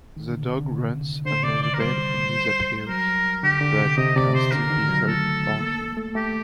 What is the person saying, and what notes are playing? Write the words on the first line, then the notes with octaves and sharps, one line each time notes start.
The dog runs under the bed and disappears, but can still be heard barking.
D#3
D3
C3
D3
C3
D3 C5
C3 D5
D#3 D5
A#4
G3 C5
F#3 A#4
D3 G4
D3
C3
C3 D#5
C3 D5
C3 C5
D3 A#4
D#3
F#3
A3 A4
A#3
A3
A3 G4